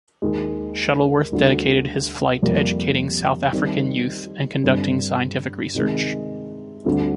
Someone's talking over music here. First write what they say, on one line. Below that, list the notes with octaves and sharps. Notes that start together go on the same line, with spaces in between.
Shuttleworth dedicated his flight to educating South African youth and conducting scientific research.
D#2 D#3 G#3
D2 D3 G3
F2 C3 G3 A#3 F4
D#3 G3 C4
G2 D3 G3 C4
C3 D#3 G#3
D2 D3 G3 C4